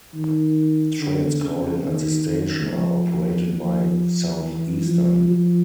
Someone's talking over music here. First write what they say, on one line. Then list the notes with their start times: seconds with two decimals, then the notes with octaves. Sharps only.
Trains calling at the station are operated by Southeastern.
0.14 D#3
1.00 D3
1.43 C#3
1.86 D#3
2.29 D#3
2.72 F3
3.15 F3
3.58 F3
4.43 E3
4.86 F3
5.29 F3